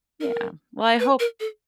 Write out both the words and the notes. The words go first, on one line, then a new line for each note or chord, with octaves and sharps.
Yeah, well, I hope
A#4
B4
A#4
A4